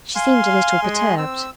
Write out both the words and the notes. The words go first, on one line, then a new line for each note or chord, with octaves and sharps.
She seemed a little perturbed.
F5 G#5 C6
G#3
C4 E6